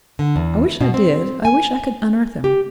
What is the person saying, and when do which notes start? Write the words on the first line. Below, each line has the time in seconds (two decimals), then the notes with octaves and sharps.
I wish I did; I wish I could unearth him.
0.19 D3
0.36 E2
0.81 B2
0.94 C4
1.45 G#5
2.44 G4